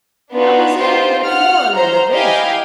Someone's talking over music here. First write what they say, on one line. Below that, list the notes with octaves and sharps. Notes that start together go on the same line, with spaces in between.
I was aiming at moral elevation....
B3 D4 D#4 F4 F#4
D#4 F4 G4 C5
F#5 F6
C5 A#5
E4 G4 D#5 F5 G5 G#5